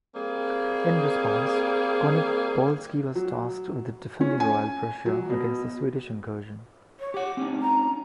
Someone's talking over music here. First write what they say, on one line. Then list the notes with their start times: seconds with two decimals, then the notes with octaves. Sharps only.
In response, Koniecpolski was tasked with defending Royal Prussia against the Swedish incursion.
0.13 G3 A#3 C4 G#4
3.15 F#3
4.21 C#4
4.40 G#5
5.06 F#3
5.30 B2
6.99 C#5
7.14 G4 F#5 D6
7.37 C4 C#4 D#4
7.61 A#5